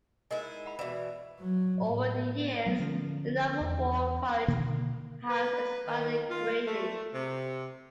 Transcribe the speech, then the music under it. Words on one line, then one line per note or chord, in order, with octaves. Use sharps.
Over the years, the Naval War College has expanded greatly.
G#3 D#4 E4 A#4 D#5 G#5
F#5 B5
B2 E3 D5 E5 E7
F#3
A2
F#3 A3 B3
D3 F3 A3 C#4
E2
B2 D3 D#3 A#3
B4
D#3
F4
A3
C3